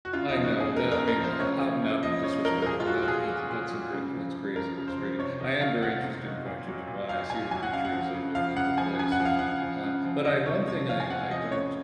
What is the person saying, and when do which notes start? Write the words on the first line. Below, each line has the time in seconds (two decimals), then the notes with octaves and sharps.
I know, the I mean, ou out and out disrespectful, that that's in that's incorrect, that's crazy, it's crazy I am very interested in going to Dubai, I see the pictures of of of the place, and, uh but I one thing I I don't
0.05 F#4
0.13 C#3 F4
0.29 D#4
0.34 F3
0.44 F#4
0.55 C#3
0.60 G#4
0.76 F3 A#4
0.92 A#4
0.98 C#3
1.08 A#4
1.18 F3
1.24 C5
1.39 C#3 C#5
1.60 F3
1.82 C#3
2.03 F3 D#5
2.24 C#3 C#5
2.45 F3 A#4
2.62 A#4
2.66 A#2 G#4
2.80 F4
2.87 F#3 F#4
3.03 F#4
3.08 A#2 G#4
3.30 F#3
3.50 A#2
3.71 F#3
3.93 C#3
4.14 F3
4.35 C#3
4.56 F3 A#4
4.77 C#3
4.88 C5
4.98 F3
5.19 C3 C#5
5.40 D#3 D#5
5.61 F#3 F5
5.82 C3 F#5
6.03 C3
6.25 D#3
6.46 A#2
6.67 F#3
6.87 A#2
7.09 F#3 F5
7.30 A#2 G#5
7.51 F#3 G#5
7.63 F#5
7.72 C#3 F5
7.85 F#5
7.93 F3
8.14 C#3
8.35 F3 F5
8.56 C#3 F#5
8.77 F3 G#5
8.99 C#3 G#5
9.12 F#5
9.20 F3
9.25 F5
9.39 C#3 F#5
9.62 F3
9.83 C#3
10.05 F3
10.25 C3 D#5
10.46 F3 C#5
10.67 C3 C#5
10.89 F3 F5
11.00 G#5
11.10 C3 F#5
11.30 F3 D#5
11.51 C#3 C#5